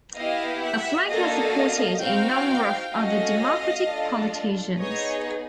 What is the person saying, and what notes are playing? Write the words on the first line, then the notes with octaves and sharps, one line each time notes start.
Affleck has supported a number of other Democratic politicians.
B3 E4 G4 D#5 F5
E5 F#5
A#3 D4 F#4 A4 D#5 F5
C4 D#4 F#4 F5 G5
A3 C#4 F#4 D#5 F5
D4 F4 A4
B3 D#4 G#4 C#5 D#5